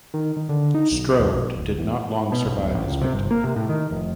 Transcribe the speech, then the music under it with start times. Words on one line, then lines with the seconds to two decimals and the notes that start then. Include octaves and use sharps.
Strode did not long survive his victim.
0.14 D#3
0.36 D#3
0.49 D3
0.74 D#4
0.91 B1
1.18 D#2
1.33 B1
1.57 D1
1.79 E2
2.32 B2
2.45 B1
2.59 D1
2.74 A1
2.88 C#2
3.02 C3
3.13 G1
3.31 A#3
3.44 C3
3.56 A2
3.69 D#3
3.91 F1